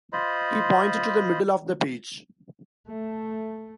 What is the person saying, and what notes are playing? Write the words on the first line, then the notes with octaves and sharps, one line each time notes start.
He pointed to the middle of the page.
F4 C5 D#5 B5
A3